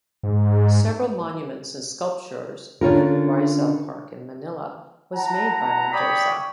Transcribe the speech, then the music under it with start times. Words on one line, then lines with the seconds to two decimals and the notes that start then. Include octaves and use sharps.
Several monuments and sculptures in the Rizal Park in Manila was made by Mendoza.
0.23 G#2
2.81 D3 C#4 F4 A#4
5.14 E4 F#5 A5 A#5
5.91 C#5 D5 G5 B5 C#6 D#6